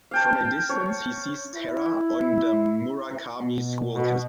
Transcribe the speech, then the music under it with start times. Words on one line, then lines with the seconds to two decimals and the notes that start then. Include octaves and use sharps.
From a distance, he sees Terra on the Murakami School campus.
0.11 F5 G5 A5
0.69 C#5
1.55 E4
3.41 B2
3.93 B2